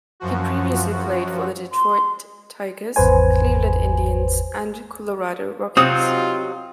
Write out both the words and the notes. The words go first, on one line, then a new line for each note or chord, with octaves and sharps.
He previously played for the Detroit Tigers, Cleveland Indians, and Colorado Rockies.
F#2 F3 F#4
C6
G#1 E2 B4 C5 G#5
C3 F#3 C4 D#4 F4 D#6